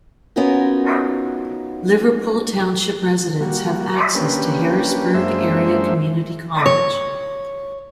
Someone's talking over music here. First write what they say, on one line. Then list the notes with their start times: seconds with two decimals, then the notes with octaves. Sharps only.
Liverpool Township residents have access to Harrisburg Area Community College.
0.36 B3 C#4 D#4 F4 F#4 A#4
3.41 G3 A#3 F#4
4.15 A#3 C#4 D4 G4 B4
5.14 F#2 G#3 A#3 D4 C5 E5
6.66 C#5